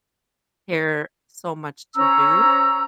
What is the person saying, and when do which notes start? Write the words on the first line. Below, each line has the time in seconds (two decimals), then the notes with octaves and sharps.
care so much to do,
1.95 C#4 C5 A#5 E6